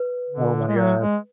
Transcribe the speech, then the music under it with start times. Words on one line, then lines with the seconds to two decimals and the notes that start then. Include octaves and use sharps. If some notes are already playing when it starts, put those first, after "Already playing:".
Oh my god.
Already playing: B4
0.30 D3
0.68 G#3
0.77 F#3
1.00 G#3